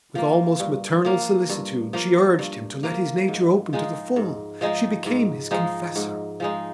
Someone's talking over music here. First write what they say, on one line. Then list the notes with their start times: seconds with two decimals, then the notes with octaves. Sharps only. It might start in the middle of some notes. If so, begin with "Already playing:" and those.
With almost maternal solicitude she urged him to let his nature open to the full: she became his confessor.
0.15 F3 A#3
0.60 G2
1.05 F3 A#3
1.49 G2
1.93 F3 A#3
2.39 G2
2.83 F3 A#3
3.28 G#2
3.73 F3 G#3 D#4
4.16 G#2
4.61 F3 G#3 D#4
5.06 G#2
5.51 F3 G#3 D#4
5.96 G#2
6.40 F3 G#3 D#4